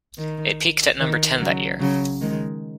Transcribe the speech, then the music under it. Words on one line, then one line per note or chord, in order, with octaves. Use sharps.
It peaked at number ten that year.
D#3
D#3
C#3 F#3
C#3 F#3
D#3 G#3